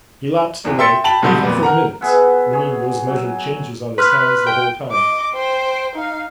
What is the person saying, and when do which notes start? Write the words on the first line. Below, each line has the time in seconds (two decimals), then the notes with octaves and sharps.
He lapsed away, even for minutes, ringing those measured changes on his hands the whole time.
0.65 G#1 E2
0.79 E5 G5 C6 E6 A6 C#7
1.04 G5 A5 B5 F7 F#7
1.22 E1 C2 G#2 D3 A3 G6
1.43 F2 A#2 B3
1.63 A#4 F#5 A#5
2.01 B3 G#4 E5 F#5
2.53 G#4 C#5
3.08 F#3
3.98 B4 C6 F6 F#6
4.47 G5
4.91 D#5 D6
5.33 C5 G5
5.95 D#4 F5